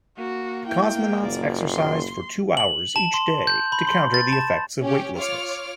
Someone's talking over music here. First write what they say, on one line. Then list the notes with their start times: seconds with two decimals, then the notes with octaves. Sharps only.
The cosmonauts exercised for two hours each day to counter the effects of weightlessness.
0.18 A#3 F#4
0.67 E4 G5
1.23 F#1 A#2 D5
1.70 C6
2.57 F#7
2.96 A5
3.14 C6
3.47 G6
3.72 B5
3.87 C6
4.14 A6
4.32 A5
4.81 C#4 G4
5.17 F4 C#5 D6 F6